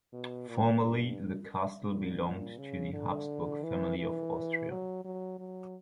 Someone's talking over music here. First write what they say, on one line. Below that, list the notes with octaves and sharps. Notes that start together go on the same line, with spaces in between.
Formerly the castle belonged to the Habsburg family of Austria.
B2
A#2
G2
A#2
A#2
C#3
D3
E3
E3
F#3
F#3
F#3